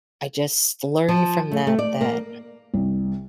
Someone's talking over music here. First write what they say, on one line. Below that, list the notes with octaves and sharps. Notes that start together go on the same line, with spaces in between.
I just learned from that that
F3
A3
A3
D5
A#3
C2